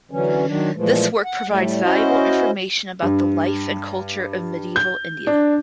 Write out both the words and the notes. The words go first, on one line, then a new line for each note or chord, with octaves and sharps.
This work provides valuable information about the life and culture of medieval India.
D3 E3 F#3 C#4
D#3 F#3 D4
A#2 E3 F3 G#3 A3
F#5
A2 G3 A3
C#4 E4 F#4 C5 D#5
G2
G6
D4